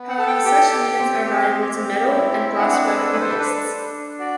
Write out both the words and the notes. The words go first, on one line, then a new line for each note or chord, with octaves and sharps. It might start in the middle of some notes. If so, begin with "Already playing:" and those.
However, such units are valuable to metal and glasswork hobbyists.
Already playing: B3
F#5
A4 A5
G5
G4 G5
G4
C4
G4
C4
G4
E4
C4
D4 F#5
F#5
A4 B4
B4
A4 B4
C5
B4
D4 B4
D4
D4
F#4 D5